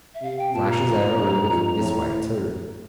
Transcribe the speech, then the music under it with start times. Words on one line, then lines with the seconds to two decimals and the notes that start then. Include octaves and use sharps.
"Flash as ever, and looking this way, too."
0.15 E5
0.22 C3 F5
0.39 G5
0.54 A#2 A5
0.69 A#5
0.86 F2
1.17 G2
1.48 F2
1.79 A2